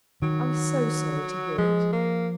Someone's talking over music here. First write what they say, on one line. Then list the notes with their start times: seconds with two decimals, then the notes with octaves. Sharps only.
"I was so sorry to hear it."
0.22 D#3 F#3
1.58 F3 G#3
1.93 A#3